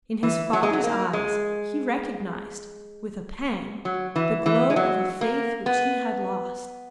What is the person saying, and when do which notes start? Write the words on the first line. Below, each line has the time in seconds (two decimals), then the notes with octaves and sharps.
In his father's eyes he recognized, with a pang, the glow of a faith which he had lost.
0.23 E3
0.53 F#3
0.63 G#3
0.73 F#3
0.84 A#3
1.13 G#3
3.85 F#3
4.16 E3
4.46 E3
4.70 G#3
4.76 F#3
5.21 A#3
5.66 B3